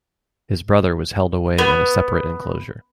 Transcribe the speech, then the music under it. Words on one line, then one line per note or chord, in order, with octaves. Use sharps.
His brother was held away in a separate enclosure.
B3